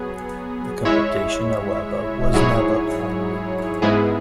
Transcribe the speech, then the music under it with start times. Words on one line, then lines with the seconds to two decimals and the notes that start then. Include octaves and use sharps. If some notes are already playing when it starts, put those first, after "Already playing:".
The competition, however, was never held.
Already playing: F#3 B3 G#4
0.85 G#3 E4 C#5 E5
2.33 G#2 F#3 E4 G#4 C#5
3.82 G#2 G#3 B3 E4 G#4